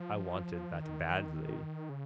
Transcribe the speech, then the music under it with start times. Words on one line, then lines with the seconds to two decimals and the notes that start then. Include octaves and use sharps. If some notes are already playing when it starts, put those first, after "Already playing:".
I wanted that badly.
Already playing: F3
0.72 D#3
1.89 C#3